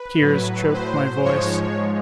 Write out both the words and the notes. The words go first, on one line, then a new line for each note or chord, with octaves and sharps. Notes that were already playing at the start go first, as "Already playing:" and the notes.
Tears choked my voice.
Already playing: B4
A2 F#3
C5
G#2 F3 G#3 C#5